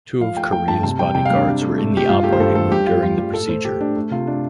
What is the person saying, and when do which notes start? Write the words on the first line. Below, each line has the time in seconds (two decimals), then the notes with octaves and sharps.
Two of Carrillo's bodyguards were in the operating room during the procedure.
0.21 F3 F5
0.36 A3 G5
0.52 A3 G5
0.68 G2 A5
0.83 C3 A5
0.99 G3 G5
1.15 C3 G5
1.25 F5
1.30 G3
1.36 D4
1.47 C3
1.62 A3
1.78 A3
1.93 A3 G4
2.09 G2 F4
2.24 A3 G4
2.32 C5
2.40 G2 A4
2.55 G2 A4
2.71 G2 G4
2.86 G2 F4
3.02 G3 F4
3.18 G3 G4
3.33 A2 A4
3.49 A3 C5
3.65 A3 G4
3.80 A3 D4
3.96 A3
4.11 C3 F4
4.27 A3 D4